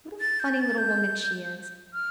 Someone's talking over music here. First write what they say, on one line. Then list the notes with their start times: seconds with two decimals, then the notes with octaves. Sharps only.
What a funny little woman she is.'
0.21 A6
0.40 G6
0.59 A6
0.78 G6
1.94 F6